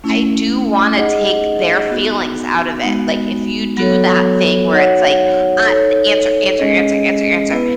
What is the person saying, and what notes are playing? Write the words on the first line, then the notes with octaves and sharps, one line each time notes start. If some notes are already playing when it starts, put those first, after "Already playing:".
I do wanna take their feelings out of it, like, if you do that thing where it's like, at "Answer, answer, answer, answer, answer."
A3 C#4 E4
D#4 G#4 D#5 F#5
B3 D#4 F#4
G#3 B3 D#4 F#4
F#3 B3 F#4 A4 C#5
D#4 F#4 C#5 F#5
D#4 A4 C#5
G#3 C#4 G#4 D#5
B3 E4 B4